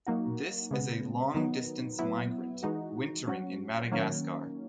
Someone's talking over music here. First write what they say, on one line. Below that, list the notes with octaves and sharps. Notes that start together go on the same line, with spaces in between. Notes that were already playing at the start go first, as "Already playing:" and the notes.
This is a long-distance migrant, wintering in Madagascar.
F#3 A#3 D#4 F#4
C#3 G#3 B3
D#3 F#3 B3 D#4
F#3 B3 E4
E3 G#3 D#4 F#4
F#3 C#4 F#4
D#3 F#3 A#3 C#4